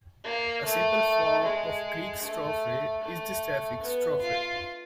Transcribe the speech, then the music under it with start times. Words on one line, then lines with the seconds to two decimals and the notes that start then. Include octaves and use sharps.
A simple form of Greek strophe is the Sapphic strophe.
0.24 A#3
0.64 A3
1.44 G#3
2.23 A3
3.03 A3
3.82 B3
4.21 F4